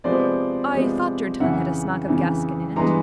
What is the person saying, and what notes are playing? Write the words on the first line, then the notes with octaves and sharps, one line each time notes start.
"I thought your tongue had a smack of Gascon in it."
C3 F3 G#3 B3 C5 D5
C3 F3 G#3 B3
F2 C#3 E3 E5 F#5
F2 C#3 E3
G2 E3 G#3 B3 A#5 C6